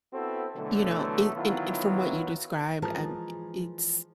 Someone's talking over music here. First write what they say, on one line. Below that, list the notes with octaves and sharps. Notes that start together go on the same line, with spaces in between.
You know, it and and from what you described, I'm i it's
B3 C4 E4 F#4 A4 C5
B2 D3 E3 F#3 A3
D#3 E3 F#3 B3 E4 F4
E3 F3 G#3 G#4 A#4 A5